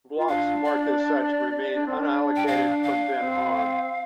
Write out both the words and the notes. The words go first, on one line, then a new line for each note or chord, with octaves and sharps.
Blocks marked as such remain unallocated from then on.
F4
D4 F5
D5
D4
C4
D4
G5
F5
F5
C4